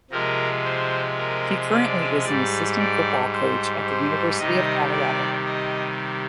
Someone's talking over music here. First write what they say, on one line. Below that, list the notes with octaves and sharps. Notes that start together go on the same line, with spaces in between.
He currently is an assistant football coach at the University of Colorado.
C3 F3 G#3 A#4
C5
A#4
D5
G#2 G3 D5
D5
C5
C5
C3 D#3 G3 D#5
D5
D#5